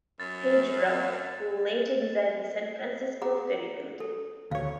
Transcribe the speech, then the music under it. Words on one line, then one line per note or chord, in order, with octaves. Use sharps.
Page Brown, who later designed the San Francisco Ferry Building.
F#2 A6
G#4 F#5 A#5
A4
D2 C#5 F5